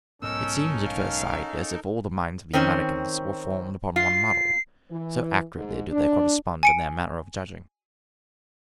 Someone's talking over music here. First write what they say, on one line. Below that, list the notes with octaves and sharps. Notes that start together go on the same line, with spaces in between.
It seems, at first sight, as if all the minds of the Americans were formed upon one model, so accurately do they correspond in their manner of judging.
B1 G#2 B3 C#4 D#4 A4 A#4 E6
F5
D#3 C4 C#4
F4 C7
E3
G#2
D4
G#5 C#7 D7